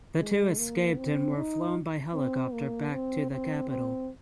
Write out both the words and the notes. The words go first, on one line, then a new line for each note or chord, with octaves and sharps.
The two escaped and were flown by helicopter back to the capital.
G#3
A#3
C4
D#4
C4
A#3
C4
C4
C4